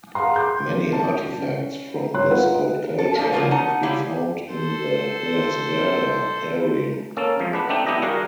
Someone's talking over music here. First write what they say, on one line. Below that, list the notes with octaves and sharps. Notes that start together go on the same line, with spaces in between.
Many artifacts from this old culture have been found in the Hoyerswerda area.
G#4 F5 F#5 A#5 C6
C6 D6 G6
A5
C#4
G1 C#5 C6 F#6
D#4 F4 B4 F#5
A4
A#3 D4 D#4 F#4 G4 A4
C#3 E3 F3 A#3 F4 F#4
C#4 D#4 F#5 A5
C#3 G3 E4 G4 F5
A4 C5
A#3 C#4 A4
F2 F3 G#3
D4 B4 F#5
A3 C4 D4 D#4 G4
G3 B3 D4 E4 G4 D#5
G3 F#4 G#4 A#4 F5 F#5